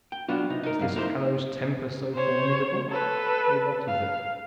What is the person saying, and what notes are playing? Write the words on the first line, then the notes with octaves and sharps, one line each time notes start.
Is this fellow's temper so formidable, or what is it?
G5
F#3 B3 D4 F4 F#4 B4
C3 D#4
D#4 A#4
G2 F#3 F5
A#3 D#4 E4 A#4 C5
C5 C#5
A4 B4
F5